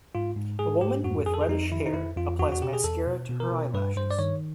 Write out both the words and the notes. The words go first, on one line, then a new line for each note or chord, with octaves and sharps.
A woman with reddish hair applies mascara to her eyelashes.
G#2 F4
G#2
G#2 G#4
G#2 G4
F2 F#4
F2 G#4
A4
G#4
F2 D#4
D#3 E4
D#4
F2 E4
F2 F4
E2 F#4
F#4
B2 G4
G#4
E2 A4
B2
B2
A#4
B2
G2 B4
G2 C5
D5
D#3 C#5